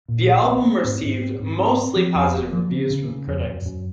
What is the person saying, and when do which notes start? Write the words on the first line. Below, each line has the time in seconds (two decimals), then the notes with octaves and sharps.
The album received mostly positive reviews from critics.
0.08 A#2
0.27 A#1
0.46 C4
0.65 C4
0.84 G#2
1.03 G#2
1.21 C4
1.39 G#2
1.58 C4
1.78 C4
1.96 F3
2.15 F2
2.34 F#1
2.53 F3
2.71 C#3
2.90 C#3
3.08 C#3
3.27 F2
3.46 F#2
3.66 F#2